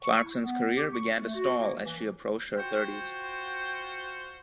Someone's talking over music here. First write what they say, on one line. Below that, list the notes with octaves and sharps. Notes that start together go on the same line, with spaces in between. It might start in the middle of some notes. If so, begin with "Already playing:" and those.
Clarkson's career began to stall as she approached her thirties.
C#6
E4
B3
G4
C#6
A3
F#4
A#3
E3
F#3
F4 F#4 C5 G5